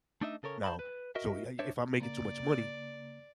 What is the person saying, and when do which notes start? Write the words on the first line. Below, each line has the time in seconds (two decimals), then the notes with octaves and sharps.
now, so you I I if I'm making too much money,
0.21 A3 D4 D#4 D#5 E5
0.43 C#3 A4 A#4 C#5
0.64 C5 A5 B5
0.79 B4
1.15 F#4 A#4 D#5 E5
1.59 D4 C5 C#5 E5
2.00 C#3 A#3 D5 A#5